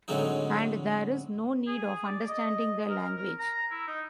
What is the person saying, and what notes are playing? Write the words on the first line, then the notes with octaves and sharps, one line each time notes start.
And there is no need of understanding the language.
A2 D3 F#3 G#3 C4 D#4
G#4
D5
D#5
A#4
A#4
A#5
E4
D#4